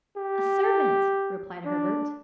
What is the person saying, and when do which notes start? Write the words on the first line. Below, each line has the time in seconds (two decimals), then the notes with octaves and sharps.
"A servant!" replied Herbert.
0.16 G4
1.65 D4